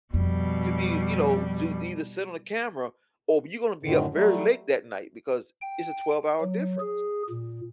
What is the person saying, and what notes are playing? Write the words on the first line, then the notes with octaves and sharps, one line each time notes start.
to be, you know, to either sit on the camera, or b you're gonna be up very late that night because it's a twelve-hour difference-
F2 B2 G3
F#2 A2 D3 D#3
F#3 G3 A3
G5
F#3
G#4
A#2